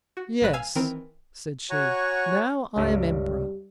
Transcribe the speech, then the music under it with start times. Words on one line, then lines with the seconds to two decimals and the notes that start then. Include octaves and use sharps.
"Yes," said she; "now I am emperor."
0.17 F#4
0.42 A1 F#3 B4 F#6
0.53 F5 G#5 E6
0.75 D#3 E3 C4 A#4
1.70 F#4 C#5 F#5 G#5 A#5 C#6
2.76 C#2 G2 G3